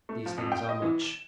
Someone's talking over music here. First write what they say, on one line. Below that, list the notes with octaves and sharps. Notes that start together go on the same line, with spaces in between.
These things are much.
A3
F3
F2
G5
D#5
E3
E7